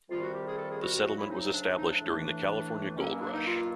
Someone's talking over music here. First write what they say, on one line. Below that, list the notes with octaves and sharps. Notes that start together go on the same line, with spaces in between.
The settlement was established during the California Gold Rush.
F2 C3 D#3 G3 F4
F#4
G4
G#4
A4
G#4
F#4
F#4
D2 C#3 F#3 F#4
E4
D#4
D#4
D4
D4
D#4
D4
A2 E3 A3
G2 D#3 F#3 A#3 C#4
C#4
D4
D#4
F4